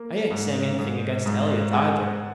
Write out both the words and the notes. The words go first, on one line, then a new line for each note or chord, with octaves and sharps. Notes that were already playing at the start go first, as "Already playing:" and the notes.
I ain't saying anything against Elliott, either.
Already playing: A#3
G#2
G#2
G#2
G#3 F#5